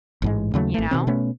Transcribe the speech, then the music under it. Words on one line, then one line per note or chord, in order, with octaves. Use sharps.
You know?
A1 G#2 G#3
D#2 C#3 F#3 A3
G#1 A3
B2 D#3 C4
B2 A3 B3 C#4